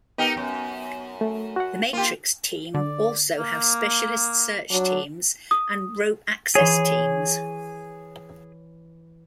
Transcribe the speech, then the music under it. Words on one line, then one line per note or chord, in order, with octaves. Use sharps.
The Matrix team also have specialist search teams and rope access teams.
B3 D#4 G4 A#4
F#2
A3
F#4 F#5
A#3 F4 G4
D3 D5
A#3
F#3 D4
D#6
E3 G#4 C#5